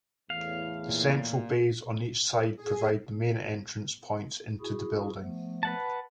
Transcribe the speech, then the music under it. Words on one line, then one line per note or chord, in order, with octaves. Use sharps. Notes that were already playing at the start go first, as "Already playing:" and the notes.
The central bays on each side provide the main entrance points into the building.
E2 A2 F5
A#2
G#4
E4 F#4 G#4
F3 A3 B3
B4 F#5 A5